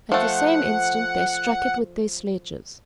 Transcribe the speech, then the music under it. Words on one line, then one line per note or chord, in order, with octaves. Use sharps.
At the same instant they struck it with their sledges.
F3 A3 F#5